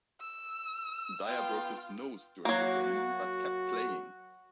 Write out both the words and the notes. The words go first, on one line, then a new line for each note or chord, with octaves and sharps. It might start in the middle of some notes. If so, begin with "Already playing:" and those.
Dyer broke his nose during the game but kept playing.
E6
B3 F4 G5
F#3 A#3 F#4